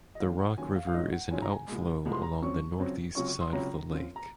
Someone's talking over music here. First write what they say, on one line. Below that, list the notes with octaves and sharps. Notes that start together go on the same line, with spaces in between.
The Rock River is an out flow along the northeast side of the lake.
D#5
D#2 C#3 F#3 F5
F#5
D#2 C#3 F#3 G#5
F5
F5
G#2 F#3 C#4 F4 D#5
F#5
G#2 F#3 C#4 F4 G#5
A#5
G#5
C2 A#2 G#3
C2 A#2 G#3
C6
A#5
F2 C#3 F#3 C4 C#6
F2 C#3 F#3 C4
C#2 C3 F#3 C#4 F4 C#6
C#6
C6
C#2 C3 F#3 C#4 F4 A#5
F#2 F3 C4 F4
A#5